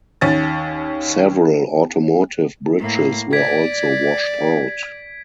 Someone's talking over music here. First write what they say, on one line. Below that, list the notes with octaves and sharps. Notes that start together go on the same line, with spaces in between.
Several automotive bridges were also washed out.
D#2 C#4 A6
A2 A#3
D5 G#6 B6 D7